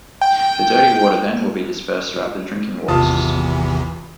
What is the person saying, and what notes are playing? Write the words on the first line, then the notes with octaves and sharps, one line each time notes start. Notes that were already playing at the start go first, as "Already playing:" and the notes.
The dirty water then will be dispersed throughout the drinking water system.
G5
G#1 E2 C3 E3 F4 A5 D#6